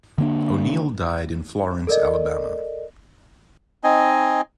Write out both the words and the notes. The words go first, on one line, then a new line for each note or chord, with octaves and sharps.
O'Neal died in Florence, Alabama.
D3 A#3 D4
A4 A#4 D5 D#5
C4 D#4 D#5 G#5